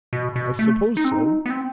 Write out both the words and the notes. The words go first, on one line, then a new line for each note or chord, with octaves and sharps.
I suppose so.
B2
B2
A3
D#4
C4
D#4
B3
C4